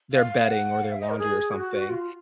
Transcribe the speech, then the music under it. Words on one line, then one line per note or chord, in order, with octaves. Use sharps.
their bedding or their laundry or something,
F5
F#5
F5
E5
D#5
A#4
G#4
F#4
F4